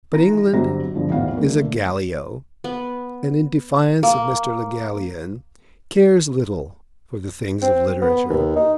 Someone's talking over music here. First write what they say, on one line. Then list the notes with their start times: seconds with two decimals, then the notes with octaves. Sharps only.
But England is a Gallio, and in defiance of Mr. Le Gallienne, cares little for the things of literature.
0.12 D#3 E3 A#5 A#6
0.53 G1 F#3 G3 C4 A#5 A#6
0.94 G2 D3 F3 G#3
1.10 G#1 E2 A2 C4 F5 F#5
1.37 D3 E3 G3 A3 A#3 E4
2.64 B3
4.03 A#3
7.62 C4
8.02 B3
8.30 D#2
8.56 D#4